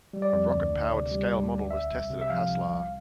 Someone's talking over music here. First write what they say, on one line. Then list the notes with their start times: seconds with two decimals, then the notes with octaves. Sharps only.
A rocket-powered scale model was tested at Haslar.
0.13 G3
0.22 D5
0.33 F2
0.53 D2
0.72 D2
0.91 C3
1.11 G3
1.31 D2
1.52 D2
1.71 C2 E5
1.91 C2
2.10 C3
2.21 E5
2.30 F3 F5
2.49 C2
2.70 C2